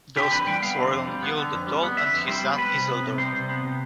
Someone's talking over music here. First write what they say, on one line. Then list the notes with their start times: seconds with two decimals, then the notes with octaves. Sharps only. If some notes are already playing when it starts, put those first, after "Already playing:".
Those kings were Elendil the Tall and his son Isildur.
0.16 D3 G4
0.31 F2 B4
0.47 G3 G5
0.62 B3 F5
0.77 D3
0.93 F2
1.07 G3
1.23 B3
1.38 D3
1.52 F2
1.67 G3
1.83 B3
1.97 D3 E5
2.13 F2
2.28 G3 C5
2.43 B3
2.58 G3 B4
2.73 C3
2.88 B3
3.03 C3
3.18 G3 C5
3.34 C3
3.49 B3
3.63 C3